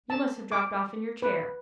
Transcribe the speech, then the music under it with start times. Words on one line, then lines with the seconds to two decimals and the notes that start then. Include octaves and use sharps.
You must have dropped off in your chair.'
0.10 A5
0.52 D6
1.22 B4